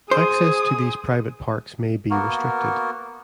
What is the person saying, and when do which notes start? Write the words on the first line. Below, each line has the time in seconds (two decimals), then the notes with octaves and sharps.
Access to these private parks may be restricted.
0.11 G#4 C5 D#6
2.10 A#3 B3 F#4 A#4